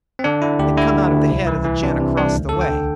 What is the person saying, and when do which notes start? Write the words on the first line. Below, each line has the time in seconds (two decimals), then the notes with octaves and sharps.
It come out of the head of the gent across the way.
0.19 C4
0.24 D3 D4
0.42 D3 E4
0.59 D2 G4
0.77 D3 E4
0.95 D2
1.13 D2
1.31 C2
1.47 E3
1.65 E3
1.83 C3 D4
2.00 C3
2.17 C2 D4
2.35 D2
2.49 D3 A4
2.61 G5
2.70 D3